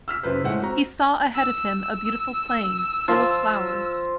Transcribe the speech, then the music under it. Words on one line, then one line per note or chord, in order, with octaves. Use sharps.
He saw ahead of him a beautiful plain full of flowers.
E6 F6 B6
F#1 F#2 B4 C5
A2 G#3 C5 F#5
C4 F#4 A#5
E6
F3